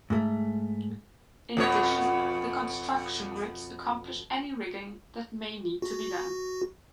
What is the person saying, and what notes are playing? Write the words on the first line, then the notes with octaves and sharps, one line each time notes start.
In addition, the construction grips accomplish any rigging that may need to be done.
G#2 A3
F2 B2 C#5
F#4